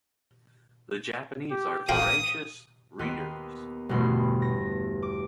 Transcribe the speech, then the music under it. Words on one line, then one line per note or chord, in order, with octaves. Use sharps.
The Japanese are voracious readers.
G4
A#3 F#4 F5 G5 D#6
D#2 B3 C6 B6
G1 E2 B2 A3 B5 C6
A#6
D6